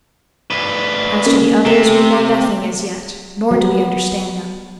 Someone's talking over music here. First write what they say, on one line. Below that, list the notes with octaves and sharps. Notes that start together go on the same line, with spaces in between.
As to the others we know nothing as yet, nor do we understand them.
D2 B4
A#3 C#4
C3 A3
F#3 B3